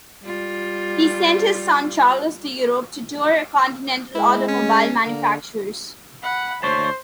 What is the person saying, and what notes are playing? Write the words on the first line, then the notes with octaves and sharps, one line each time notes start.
He sent his son Charles to Europe to tour continental automobile manufacturers.
G3 F4
G#3 E4
C#4
D3 A#3
F#5 B5
D2 C5 C#5 A5